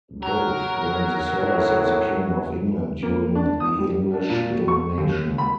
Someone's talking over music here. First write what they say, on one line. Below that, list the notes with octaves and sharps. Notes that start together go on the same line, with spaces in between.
Both were in the service of the king of England during the English domination.
F#3 A#4
A2
A#3
D4
D#6
G3
D4
A#2
F#3
C#6
D#2
B5